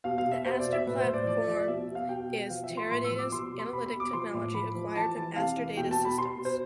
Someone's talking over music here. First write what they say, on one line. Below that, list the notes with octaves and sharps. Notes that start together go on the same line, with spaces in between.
The Aster Platform is Teradata's analytic technology, acquired from Aster Data Systems.
B2 F5
F5
B2
E5
B2 C5
D5
B2
E5
A2 B4
C5
A2
D5
F3 D5
F3 D5
B2 E5
B2
F5
B2 G5
B2
F3 F5
E5
F3
C6
A2 C6
E6
F3
D6
B2 C6
B2
C6
B2 B5
B5
B2
D6
F3 C6
A2
F3 B5
F3
E3 A5
E3
C3 F5
E3
B2 G5
A5
B2
B5
B2 C6
B2
C5